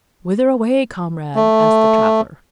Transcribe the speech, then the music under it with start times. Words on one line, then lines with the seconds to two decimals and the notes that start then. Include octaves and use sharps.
"Whither away, comrade," asked the traveller.
1.35 A3